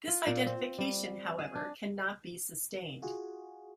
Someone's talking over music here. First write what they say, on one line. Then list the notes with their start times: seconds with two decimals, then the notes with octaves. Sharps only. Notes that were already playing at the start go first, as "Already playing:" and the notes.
This identification, however, cannot be sustained.
0.08 F4
0.27 A#2
0.46 C4
0.78 G3
1.39 G#4
1.55 D4
3.02 F4 F#4 G#4